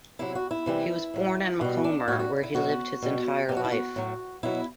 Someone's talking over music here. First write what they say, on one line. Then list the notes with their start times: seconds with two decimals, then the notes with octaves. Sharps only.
He was born in Macomer where he lived his entire life.
0.19 C3 F#3 E4
0.35 F#4
0.51 E4
0.66 C3 E3 G3
1.14 A2 F#3
1.61 B2 G3 F#4
1.84 D4
2.08 A2 F#4
2.12 G3
2.19 F#4
2.43 E4
2.54 B2 F#3 F#4
3.02 B2 G3
3.49 B2 G4
3.52 F#3 F#4
3.65 E4
3.72 F#4
3.96 A2 F#3
4.43 B2 F#3 E4